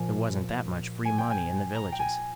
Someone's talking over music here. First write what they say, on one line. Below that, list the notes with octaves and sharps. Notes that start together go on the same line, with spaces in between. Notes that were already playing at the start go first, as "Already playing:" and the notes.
There wasn't that much free money in the villages.
Already playing: A#2 F3 G#5
G#5
G5
G#5
A#5
G5
G#5